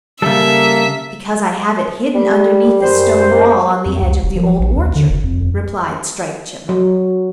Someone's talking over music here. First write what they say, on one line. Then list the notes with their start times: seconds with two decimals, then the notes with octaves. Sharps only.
"Because I have it hidden underneath the stone wall on the edge of the Old Orchard," replied Striped Chipmunk.
0.22 C#3 G3 A#3 A4 E5
2.14 G3
2.82 F#2 G3 C5
3.31 A#3
3.86 F2
4.02 C#2
4.23 F1
4.36 F3
4.60 A#1
4.77 D#2
4.95 D3
5.10 F1
5.24 F2
5.41 F2
6.69 F#3